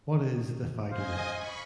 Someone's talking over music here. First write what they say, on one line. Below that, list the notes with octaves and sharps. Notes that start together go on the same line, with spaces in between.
What is the "FidoNet"?
C5 D#5 F5 G#5
B5 C#6